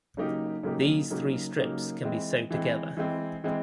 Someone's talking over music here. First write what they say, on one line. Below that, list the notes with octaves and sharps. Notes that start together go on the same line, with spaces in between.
These three strips can be sewed together.
C#3 F#3 A#3 D#4 G4
C#3 F#3 A#3 D#4 G4
C#3 F#3 A#3 D#4 G4
C#3 F#3 A#3 D#4 G4
E3 G#3 C4
E3 G#3 C4
E3 G#3 C4
E3 G#3 C4